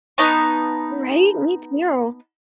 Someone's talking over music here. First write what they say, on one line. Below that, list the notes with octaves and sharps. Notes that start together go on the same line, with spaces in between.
Right? Me too.
B3 D#4 A5 C#6